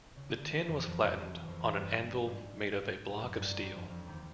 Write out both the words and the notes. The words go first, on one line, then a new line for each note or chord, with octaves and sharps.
The tin was flattened on an anvil made of a block of steel.
C#3
D3
D#3
E3
F2 F3
F2 F3
F2 F3 F#3
F3
E3
F2 F3
G2 G3
G#2 G3 G#3
G#2 G#3
A2 A3
F#2 F#3
G2 G3
F#2 F#3
G2 G3
F2 F3
F2 F3
D#2 D#3